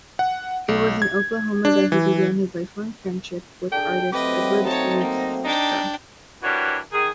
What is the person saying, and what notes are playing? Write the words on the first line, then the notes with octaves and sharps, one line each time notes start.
It was in Oklahoma that he began his lifelong friendship with artist Edward Ruscha.
F#5
B1
G#6
D4
E3
D4 G#4 A4 G5
F#3 A3 C4 G4 B4 D#5
D#4 C#5 A5
A#3
D4 D#4 G5
E3 G3 D4 F#4 A#4 C#5
D#3 G#4